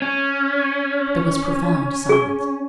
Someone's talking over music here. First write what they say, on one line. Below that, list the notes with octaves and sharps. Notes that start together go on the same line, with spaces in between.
There was profound silence.
C#4
G#4 C#6